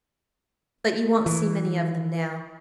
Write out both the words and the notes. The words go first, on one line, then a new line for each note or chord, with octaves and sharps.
But you won't see many of them now.
E3